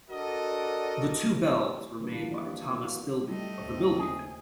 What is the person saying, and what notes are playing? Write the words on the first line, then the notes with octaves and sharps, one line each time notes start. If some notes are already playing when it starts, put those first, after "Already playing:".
The two bells were made by Thomas Bilbie of the Bilbie family.
D4 F#4 A4 A#4 D5 D#5
C#3 E3 G3 A#3 D4 B4
D#3 F3
D#3 A#3 G4 B4 D5
D4
A#3 F#4
B3
G3 A3 D#5
D#2 C#3 C4
G#4